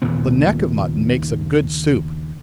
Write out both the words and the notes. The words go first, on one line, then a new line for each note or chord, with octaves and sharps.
The neck of mutton makes a good soup.
D#2 A#2 C#3 B3